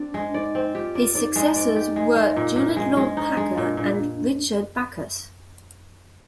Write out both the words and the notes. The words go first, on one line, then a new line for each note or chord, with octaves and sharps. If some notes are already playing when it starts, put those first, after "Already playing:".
His successors were Juliet Law Packer and Richard Backus.
Already playing: C4 D4 D5
G#3
D#4 D5
C4
F4 G4
D5
D#4 D5
G#3
D5
G4
G#3
G#3
A#2
A#2
G#3 D4
D#4
G#3
D#4
D4
D#4
G#3
A#2
A#2